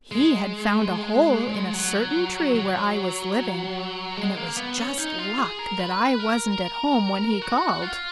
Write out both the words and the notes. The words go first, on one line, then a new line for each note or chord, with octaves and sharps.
He had found a hole in a certain tree where I was living, and it was just luck that I wasn't at home when he called.
G#3
F#3
F#3
G#3
A#3
B3
C#4
D#4
F4
G#4
A#4
B4
A#4
F#4
F4